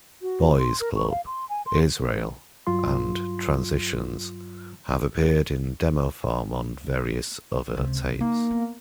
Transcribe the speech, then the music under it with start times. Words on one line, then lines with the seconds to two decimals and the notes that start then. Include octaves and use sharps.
"Boys Club", "Israel" and "Transitions" have appeared in demo form on various other tapes.
0.22 F#4
0.59 C6
0.80 A#4
0.96 C#6
1.10 F5
1.26 C6
1.49 G#5
1.66 C6
2.67 G2 F#3 F4 C6
7.77 C#2 C3
8.20 A#3 D#4
8.51 B3